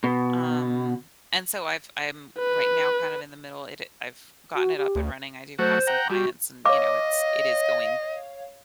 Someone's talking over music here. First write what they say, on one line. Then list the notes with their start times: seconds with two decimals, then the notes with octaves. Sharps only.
um, and so, I've I'm right now kind of in the middle it I've gotten it up and running. I do have some clients and, you know, it's it is going
0.04 B2
2.39 B4
4.55 F#4
4.77 G4
4.95 D2
5.59 F#3 A3 F#4 C5
5.87 F#5 G5 A#5
6.10 G3 F#4
6.66 C#5 D#5 F5 D6